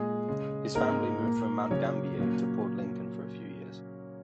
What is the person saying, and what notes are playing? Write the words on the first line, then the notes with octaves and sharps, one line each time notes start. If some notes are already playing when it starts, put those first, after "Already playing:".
His family moved from Mount Gambier to Port Lincoln for a few years.
Already playing: A#2 G#3 G#4
C#3 G#3
G#2 G#3 A#3 A#4
A#2 A#3
C#3 F#3 A#3 C#4 C#5
A#2 F#3 A#3